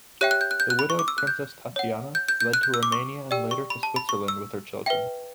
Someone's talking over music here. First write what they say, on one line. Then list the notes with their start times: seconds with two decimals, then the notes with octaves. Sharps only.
The widowed Princess Tatiana fled to Romania and later to Switzerland with her children.
0.21 G4 C#5 E5 G5 F#6
0.31 F#6
0.41 G6
0.51 F#6
0.60 G6
0.70 F#6
0.79 B5
0.90 C#6
0.99 D6
1.08 E6
1.18 F#6
1.27 G6
1.76 C#5 F#5
2.15 G6
2.28 G6
2.41 G6
2.53 F#6
2.63 G6
2.74 E6
2.83 D6
2.92 C#6
3.31 G4 D5 G5 E6
3.51 C#6
3.70 B5
3.83 A5
3.96 B5
4.09 C#6
4.28 E6
4.86 B4 E5 G5